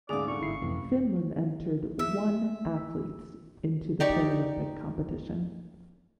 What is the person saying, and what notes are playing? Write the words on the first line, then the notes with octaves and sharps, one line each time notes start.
Finland entered one athletes into the Paralympic competition.
D2 G#2 C#4 G#4 D5 F5 G#5 D#6
G#2 D3 E3 E4 C#6
G1 E4 C7
F2 A2 C3 E3
E5
D#4 G4 D5 C#6